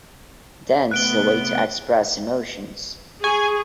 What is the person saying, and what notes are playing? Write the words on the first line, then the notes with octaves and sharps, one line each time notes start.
Dance is a way to express emotions.
C3 A3 B3 F#6 D7 G7
G#4 G#5 C#6